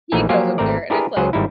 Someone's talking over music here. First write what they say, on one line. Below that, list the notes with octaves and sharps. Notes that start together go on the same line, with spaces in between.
he goes up there, and it's, like,
A#1 E3 A3 A#3 D#4 G#5
F3 F#3 A#3 F4 G4 G#5
G#1 A3 C4 A#4 D5
D4 E4 G4 G#4 A#4 B4
C#2 F#3 G#4 C5 F#5
G#1 G3 D#4 E4